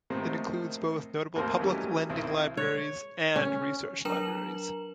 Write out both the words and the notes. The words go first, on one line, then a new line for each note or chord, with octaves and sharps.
It includes both notable public lending libraries and research libraries.
A2 C3 D#3 F3 A#3 C4
A1 D#2 C4 A#4 C5 F5
D#3 E3 F#3 G3 A3 C#4
B1 D#3 C4 E4 D#6
C#5
C#4
F#3 D4 A#4 A#5 E7 F#7